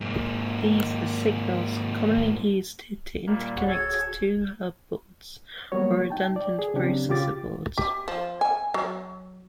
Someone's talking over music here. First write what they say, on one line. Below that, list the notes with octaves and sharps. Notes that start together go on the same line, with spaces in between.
These are signals commonly used to interconnect two hub boards, or redundant processor boards.
G#2 A#3
A#2 G3 A#3
D1 F#4 G#4 C#5 F#5
A4 G#6
F#3 G3 A#3 B3 F#4 C#5
D#4 G5 A5
D5
G#4
C#3 F#3 C4 D4 G4
C#3 F4 G4 D6 A6
G4
F3
G#5
F#3